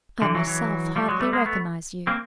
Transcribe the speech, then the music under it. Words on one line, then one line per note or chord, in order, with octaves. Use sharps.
I myself hardly recognised you.
D3 E3
E3 F#3
E3 F#3
F3 G3
F#3 G#3
G3 A3
G#3 A#3
A3 B3
A#3 C4